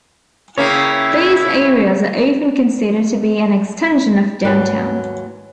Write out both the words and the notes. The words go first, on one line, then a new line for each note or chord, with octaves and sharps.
These areas are often considered to be an extension of downtown.
C#3 A#3 C#4 E4 C#5 E5 G5
D#2 G#2 F#3 B4